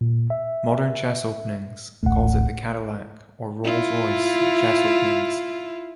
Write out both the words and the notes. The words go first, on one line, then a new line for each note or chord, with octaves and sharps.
"Modern Chess Openings" calls it the "Cadillac" or "Rolls Royce" of chess openings.
A#2
E5
D1 A1 A3 F#5
E4 F4